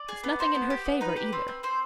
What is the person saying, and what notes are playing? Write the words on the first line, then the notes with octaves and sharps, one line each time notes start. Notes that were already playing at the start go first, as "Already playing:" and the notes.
It's nothing in her favour, either.
Already playing: D5
G#4
B3
D#4 C5
B3
G4
B3
D#4 B4
G4
C4
C4
C4 C5